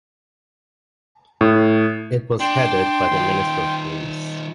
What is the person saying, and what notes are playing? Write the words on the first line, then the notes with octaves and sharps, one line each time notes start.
It was headed by the Minister of Police.
A2
D4 G5 C6
D#3 F4